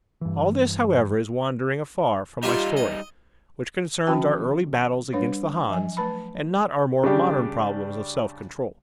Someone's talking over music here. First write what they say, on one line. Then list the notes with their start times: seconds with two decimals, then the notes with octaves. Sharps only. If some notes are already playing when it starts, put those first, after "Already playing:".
All this, however, is wandering afar from my story, which concerns our early battles against the Hans, and not our more modern problems of self-control.
0.21 G2 E3
2.43 G3 D#4 F4 G4 E5
2.77 D#5
4.07 D#3 F3 C#4 F#4 G5 A5
5.13 G3 D4 B4 C#5
5.69 F3 F#3 G#5
5.97 A3 B4 A5 B5
7.04 C#3 G3 D4 G4